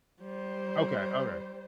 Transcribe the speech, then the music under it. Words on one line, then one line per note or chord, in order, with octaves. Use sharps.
Okay, alright.
G3 C5